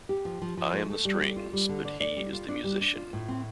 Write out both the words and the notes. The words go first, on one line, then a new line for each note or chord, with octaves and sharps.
I am the strings, but he is the musician.
G4
F3
F3
F3
A3
A3
G3
G3
F4
G3
D3
D5
D5
G3
F4
D4
G3
D4
F4
A2
C4